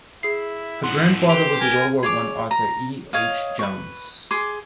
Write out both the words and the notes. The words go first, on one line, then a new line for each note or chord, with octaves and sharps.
Her grandfather was the World War One author E. H. Jones.
E4 G#4 C7
G#2 E3 F#5 C6
G4 B4 C5 F7
A#4 G#5
G#4 C#5 D6
A#5
C#5 D#5 F5
B4 C#6
G#4 C6 D6